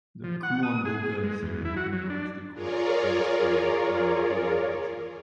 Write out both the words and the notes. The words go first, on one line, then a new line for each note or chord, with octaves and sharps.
The Kuomboka ceremony marks the court's transfer between the two locations.
F3
F#5
D#6
G#4
G#3
E2
E4
F#4
F#3
D4
F4 G#4 A#4 C#5 D5